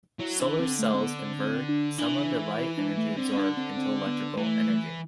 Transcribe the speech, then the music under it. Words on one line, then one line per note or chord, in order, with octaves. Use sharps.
Solar cells convert some of the light energy absorbed into electrical energy.
F#3 E4
E3 D4
D3 C4
A3
C4
B3
C4
C4
D4
E3 D4
E4
D4
A3
D3 C4
C4
D4
C4
C4
B3
E3 A3